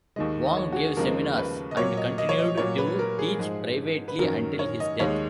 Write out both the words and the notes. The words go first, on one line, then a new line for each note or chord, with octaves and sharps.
Wong gave seminars and continued to teach privately until his death.
D#2 D#3 G#3 D#5
D#5
C#5
F#4
G#4
D#2 C#3 F3 G#3 A#4
B4
D#5
A#2 F#3 C#5
D#5
D#5
C#5
D#5
A#2 F#3 C#5
B4
A#4
G#4
G#2 F3 G#3
B4
F#2 D#3 F#3 A#4
C#5
D#5
D#2 D#3 G#3 C#5